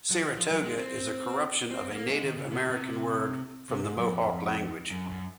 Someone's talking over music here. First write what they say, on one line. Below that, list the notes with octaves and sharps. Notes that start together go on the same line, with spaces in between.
"Saratoga" is a corruption of a Native American word from the Mohawk language.
F#3
D#3
F3
F#3
G#3
C4
C4
A#3
G#3
D#3
C#3
C3
C3
C3
G#2
F#2
F2
F#2
F2
F#2